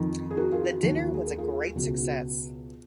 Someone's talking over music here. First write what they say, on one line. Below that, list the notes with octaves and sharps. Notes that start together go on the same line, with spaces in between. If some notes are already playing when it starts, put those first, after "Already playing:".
The dinner was a great success.
Already playing: F2 D#3
G#4
F#4 A#4
F4 G#4
F#4
D#2 D#3 F#4
F#4
G#4
A#4
F4 G#4
C#2 B2 F#4
F#4